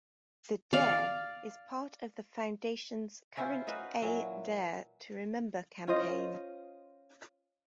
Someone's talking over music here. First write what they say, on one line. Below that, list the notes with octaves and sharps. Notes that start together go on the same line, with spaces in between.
The "dare" is part of the foundations current A Dare to Remember campaign.
D5 F5
C#4 E4 F4 C5
D#4 F#4 B4 F5
A#2 E3 F#3
C#4 F4 C5 D#5